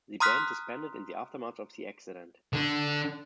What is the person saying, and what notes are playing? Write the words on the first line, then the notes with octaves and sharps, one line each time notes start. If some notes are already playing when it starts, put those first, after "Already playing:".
The band disbanded in the aftermath of the accident.
A#5 C6 D#6 F6 F#6 B6
D3 D4